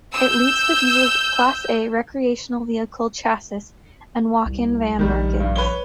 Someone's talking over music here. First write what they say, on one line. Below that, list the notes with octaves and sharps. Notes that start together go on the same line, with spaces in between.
It leads the diesel Class A recreational vehicle chassis and walk-in van markets.
E6 G6
C2
A#1 D#3 G3
G2
B4 C#5 G7